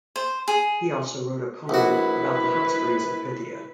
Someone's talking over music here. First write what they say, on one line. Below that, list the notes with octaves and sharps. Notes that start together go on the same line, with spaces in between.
He also wrote a poem about the hot springs at Pythia.
C5
G#4
A#1 E4 F#4 B4